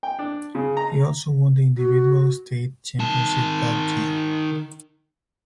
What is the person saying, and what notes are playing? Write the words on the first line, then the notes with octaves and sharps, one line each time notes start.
He also won the individual state championship that year.
G5
D4
C#3
A#5
F#4
D#3 A5